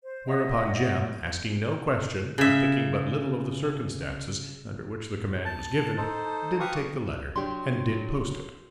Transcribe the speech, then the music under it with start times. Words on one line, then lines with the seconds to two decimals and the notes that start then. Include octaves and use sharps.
Whereupon Jem, asking no question and thinking but little of the circumstances under which the command was given, did take the letter and did post it.
0.04 C5
0.27 C#5 D#5 E5 F#5
2.38 C#3 E5
5.45 A5
5.97 D#4 A4 C5
6.60 G4 B4 F5 C#6 D#6
7.36 F#3 D4 G4 C6